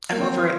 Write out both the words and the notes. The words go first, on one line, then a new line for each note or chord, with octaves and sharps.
I'm over it.
A#3
C4
F4